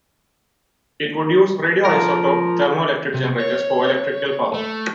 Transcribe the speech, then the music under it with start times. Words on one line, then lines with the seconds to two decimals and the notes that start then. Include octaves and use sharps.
It would use radioisotope thermoelectric generators for electrical power.
1.85 F3 A#4
3.14 C3
3.40 C#5
4.54 A3